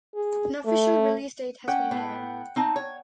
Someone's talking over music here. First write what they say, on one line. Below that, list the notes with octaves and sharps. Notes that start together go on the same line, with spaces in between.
No official release date has been given.
G#4
A3
C#4 F#5 G5
A2 B3
C4 D#4 A5
C#5